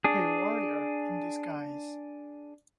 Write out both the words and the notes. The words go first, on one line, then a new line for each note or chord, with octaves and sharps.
A warrior in disguise.
D4 G#4